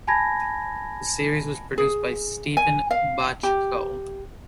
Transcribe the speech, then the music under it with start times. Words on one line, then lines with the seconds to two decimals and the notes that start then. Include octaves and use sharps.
The series was produced by Steven Bochco.
0.07 G#5 A5 B5 G#6 A#6
1.78 G#4
2.57 G#5
2.91 F5
3.43 G4